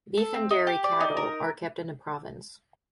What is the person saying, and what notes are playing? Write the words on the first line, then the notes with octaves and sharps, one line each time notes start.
Beef and dairy cattle are kept in the province.
A4
C4
D#4
G4
D5
D#4
A#4